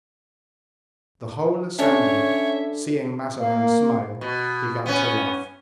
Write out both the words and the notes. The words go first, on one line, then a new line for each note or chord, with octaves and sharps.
The whole assembly, seeing Mazarin smile, began to laugh.
C#4 D4 A4 C#5 E5
A#3
B2
B3 C#4